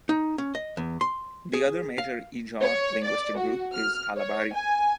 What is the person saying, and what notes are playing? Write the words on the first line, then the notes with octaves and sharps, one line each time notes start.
The other major Ijaw linguistic group is Kalabari.
D#4
C#4
D#5
E2
C6
G#4
F5
C#5
D5
F#4
F6
C#5
G#5